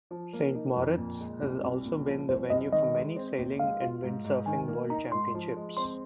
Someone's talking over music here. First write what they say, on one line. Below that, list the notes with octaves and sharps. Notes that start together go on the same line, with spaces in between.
Saint Moritz has also been the venue for many Sailing and Windsurfing World Championships.
F3
A#3
D#4
F2
A#2
G#3
C2
C2
A#2
F3
C2 C5
C2 D#5
D#3 D#5
G#3
C4
D#2
G#3 F5
F4
G#2
G#2
D#3 G#5
A#3
D#4 A#5
G#2 C6
F3
G#3
C4 C6